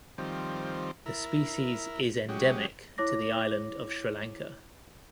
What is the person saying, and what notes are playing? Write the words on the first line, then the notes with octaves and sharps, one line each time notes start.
The species is endemic to the island of Sri Lanka.
D#3 F3 G3 C4
E4 A#4
F#3 G#3 C#4 G4
E4 C#5 D6 A#6